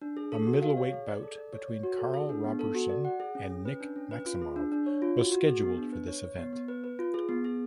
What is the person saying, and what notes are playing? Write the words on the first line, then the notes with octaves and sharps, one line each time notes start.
A middleweight bout between Karl Roberson and Nick Maximov was scheduled for this event.
D4
G#4
A4
F#4
F5
C#5
G#4
D5
A4
D5
C#5
C#5
F#4
A4
G#4
D4
B3
A4
F#4
D5
F#5
G#4
C#4
C#4
B4
D4
C#4
B4
F4
G#4
D4
D4
C#5
F4
F#4
F#4
G#4
B3
D4
B4
C#5
C#5
B3
B3
B4
B4
F4
G#4
B3
G#4